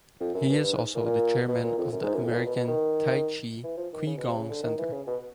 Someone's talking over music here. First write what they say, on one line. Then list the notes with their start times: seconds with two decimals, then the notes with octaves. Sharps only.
He is also the chairman of the American Tai Chi Qigong Center.
0.20 F2
0.35 F#2
0.49 G2
0.64 G2
0.73 G#2
0.95 A#2
1.06 A#2
1.48 B2
1.63 A#2
1.78 F2
1.92 F#2
2.03 G#2
2.14 F#2
2.24 F2
2.30 A2
2.35 A#2
2.45 B2
2.56 B2
2.68 D#3
3.64 E3
3.77 F3
3.93 D#3
4.07 C#3
4.18 B2
4.28 C3
4.39 C#3
4.50 D3
4.63 D#3
4.79 E3
4.92 C#3
5.07 B2